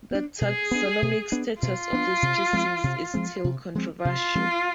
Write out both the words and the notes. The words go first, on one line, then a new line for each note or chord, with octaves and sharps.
The taxonomic status of this species is still controversial.
B3 D4
B2 G#4
B3 D4
B2
B3 D4
B2 F4
B3 D4
C3
F3 G#3 C4
C3
F3 G#3 C4
C3
F3 G#3 C4
C3 F4
F3 G#3 C4